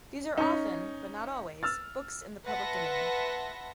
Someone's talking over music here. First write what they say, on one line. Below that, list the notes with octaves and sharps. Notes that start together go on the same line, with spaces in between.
These are often, but not always, books in the public domain.
C#4 D#4
E6 F6 A6
B4 E5 F#5 A5 C6 A#6